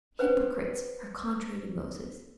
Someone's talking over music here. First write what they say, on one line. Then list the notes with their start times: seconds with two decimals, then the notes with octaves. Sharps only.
Hypocrites are contrary to Moses.
0.19 B4 C5 F#5 G5